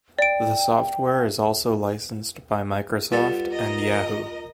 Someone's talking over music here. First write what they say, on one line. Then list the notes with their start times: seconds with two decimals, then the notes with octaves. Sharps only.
The software is also licensed by Microsoft and Yahoo.
0.19 D5 G5 D7
3.12 G3 B3 F4 A4
3.54 A#4 D#5